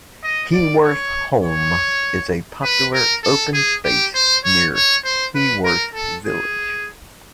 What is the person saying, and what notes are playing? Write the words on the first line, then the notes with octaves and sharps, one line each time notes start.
Heworth Holme is a popular open space near Heworth village.
D#5
D5
C#5
C#5
B4
A#4
A4
G#4
G4
C5
C#5
C#5
C5
B4
A#4
A4
G#4